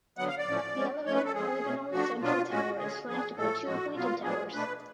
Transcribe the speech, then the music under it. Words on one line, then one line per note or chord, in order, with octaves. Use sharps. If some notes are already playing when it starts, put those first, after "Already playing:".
The elevated polygonal central tower is flanked by two pointed towers.
D3 F#3 B3 F#5
F5
D5
A2 F3 A3 C#4
F3 G#3 C#4
F3 A3 C#4 C#5
B4
A4
C#3 F3 G#3 G#4
B2 A3 C#4
F3 A3 D4 F#4
B2 F#3 B3 D4 F4
A2 G#3 C#4 F#4
D3 G#3 C#4 G#4
F3 B3 D4 G#4
A2 F3 A3 A4
A2 F3 G#3 F#4
B2 F#3 B3 F4
A2 F3 G#3 B3 D4 G#4
B2 A3 D4 B4